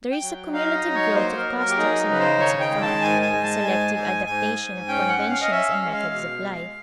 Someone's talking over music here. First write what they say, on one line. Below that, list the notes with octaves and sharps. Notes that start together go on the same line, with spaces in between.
There is a cumulative growth of customs and habits of thought; a selective adaptation of conventions and methods of life.
G5
F#3
D#4 F5
D#5
F#3
C#5
A#3 C5
A#4
F#3
A#4
G4
D#4 G#4
C#3 B4
C5
D#3 C#5
G5
G#3
A5
G#2 G#5
G#5
G#3
A5
G#2 G#5
G#2 G#5
G#2 G#5
G#2
C#4 G5
F#5
C#4
F5
D#5
C#4 E5
F5
G#3
F5
B2
G#3